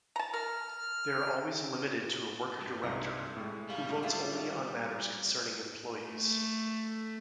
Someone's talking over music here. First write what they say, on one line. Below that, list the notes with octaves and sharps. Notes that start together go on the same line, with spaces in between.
They are always limited to a Worker-Director, who votes only on matters concerning employees.
A5 A#5
A#4 F6
G2
C2 G#2 A#5
A2 G#3
G3 F5
E4 F4 G#4
A3